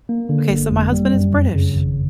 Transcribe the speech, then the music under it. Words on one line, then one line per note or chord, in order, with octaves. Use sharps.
Okay, so my husband is British,
A#3
D3
G1
F2
G3
F#2
F2
C#3
G#1